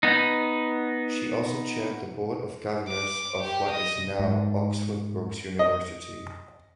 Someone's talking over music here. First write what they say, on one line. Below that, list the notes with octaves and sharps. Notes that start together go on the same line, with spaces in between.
She also chaired the board of governors of what is now Oxford Brookes University.
B3 D#4
D6
G4
D#5
G#2
D#5